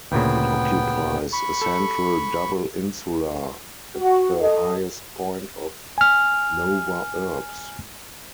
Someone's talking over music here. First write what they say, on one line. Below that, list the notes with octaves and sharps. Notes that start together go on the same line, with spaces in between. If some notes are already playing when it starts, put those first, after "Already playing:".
It occupies a central double insula at the highest point of "nova urbs".
D2 A#2 C#3 B3 G5
B5 C#6
A4
F#4
A4 D#5
G#5 F6